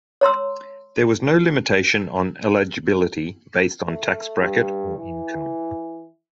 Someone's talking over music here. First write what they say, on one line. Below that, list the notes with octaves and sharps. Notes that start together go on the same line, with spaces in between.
There was no limitation on eligibility based on tax bracket or income.
C#5 A#5 C6 E6
A3
G2
E3